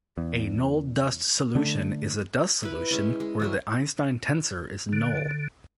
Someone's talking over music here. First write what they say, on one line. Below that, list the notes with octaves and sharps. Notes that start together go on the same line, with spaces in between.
A null dust solution is a dust solution where the Einstein tensor is null.
E2
D3 A3
E4 B4
G#3 C#4 E4
G#3
E3 F#3 E4
D3